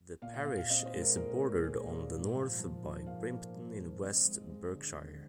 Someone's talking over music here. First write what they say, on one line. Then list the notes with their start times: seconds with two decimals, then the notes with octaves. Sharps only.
The parish is bordered on the north by Brimpton in West Berkshire.
0.22 A#2 F5
0.34 F5
0.45 A#2 F5
0.58 F5
0.70 C4 D#5
0.86 C5
0.93 G#3
1.01 A#4
1.17 A#2 A#4
1.40 A#2
1.64 A#2 G#4
1.89 A#2
2.12 G#2
2.35 F3
2.59 F3
2.84 F3
3.07 A#3 F5
3.31 A#3
3.55 F3
3.79 G#2
4.02 C4 D#5
4.27 G#3
4.49 G#3
4.73 D3
4.98 D3